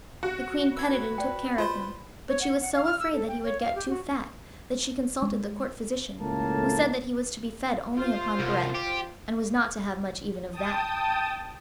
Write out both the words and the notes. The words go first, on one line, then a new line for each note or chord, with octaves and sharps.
The Queen petted and took care of him, but she was so afraid that he would get too fat that she consulted the court physician, who said that he was to be fed only upon bread, and was not to have much even of that.
F#4
B4 E6 G#6
D5 G5
F4 C5 B5 C6
C#5
F#5
F#5
F5
F6
E6
A4
G5
C#5
F5
G4
F#4
G#3
C#2 A2 A3 A#3 A5
F4 C5
C2
G4
G5 A5 D#6